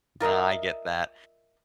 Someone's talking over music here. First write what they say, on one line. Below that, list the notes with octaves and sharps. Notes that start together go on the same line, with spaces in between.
No, I get that.
F4 A#4 D#5 E5